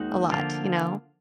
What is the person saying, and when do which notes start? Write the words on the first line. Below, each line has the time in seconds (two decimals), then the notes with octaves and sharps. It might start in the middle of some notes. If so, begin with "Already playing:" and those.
a lot, you know?
Already playing: D#2 D#3 G#3 D#4 F#4
0.30 D3 F3 A#3 F4